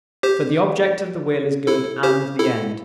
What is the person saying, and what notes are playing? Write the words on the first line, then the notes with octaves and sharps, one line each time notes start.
For the object of the will is good and the end.
G4 C5
E4 A4
G4 C5
E4 A4